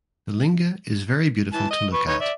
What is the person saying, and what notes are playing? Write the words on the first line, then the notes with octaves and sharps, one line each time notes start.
The linga is very beautiful to look at.
E3 A5
D#5
B4 C#6
D#4 B4 C#5
D5 E5